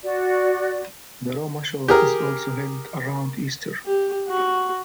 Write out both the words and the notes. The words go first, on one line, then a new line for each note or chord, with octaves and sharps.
The Roma Show is also held around Easter.
F#4 D5
G4 G#4 A#4
G4
F#4